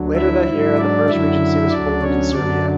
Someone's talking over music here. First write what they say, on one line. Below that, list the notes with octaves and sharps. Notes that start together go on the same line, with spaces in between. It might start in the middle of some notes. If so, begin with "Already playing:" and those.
Later that year "The first regency" was formed in Serbia.
Already playing: D2 D3 F#3
E4 E5
G#2 F#3
D4 D5
F#2 D3 F#3 E4 E5
D2 D3 F#3 D4 D5
C#4 C#5
F#2 D3 F#3 D4 D5